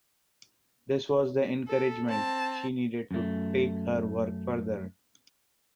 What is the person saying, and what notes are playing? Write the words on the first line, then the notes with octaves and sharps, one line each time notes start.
This was the encouragement she needed to take her work further.
A4
C4 A5
F#2 A3